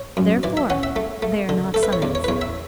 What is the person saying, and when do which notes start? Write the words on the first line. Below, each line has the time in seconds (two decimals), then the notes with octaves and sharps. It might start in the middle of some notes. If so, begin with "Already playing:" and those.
Therefore they are not signs.
Already playing: C#5
0.17 F#2
0.43 E3 D5
0.57 E5
0.70 C#4 F#5
0.83 E5
0.96 A3
1.22 A3
1.49 D3
1.74 A3 A4
1.83 B4
1.93 C#5
2.02 E2 D5
2.15 C#5
2.24 B4
2.28 E2 C#5
2.41 E5